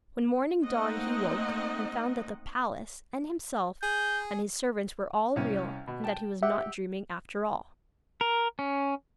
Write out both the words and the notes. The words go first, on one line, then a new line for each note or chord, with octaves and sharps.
When morning dawned he woke, and found that the palace, and himself, and his servants were all real, and that he was not dreaming after all!
A3 A#3 C4 D#4 D#5 F#5
G#4 G6
C2 C#4
B2
G5 A5
G4 E5 F#5
A#4
C#4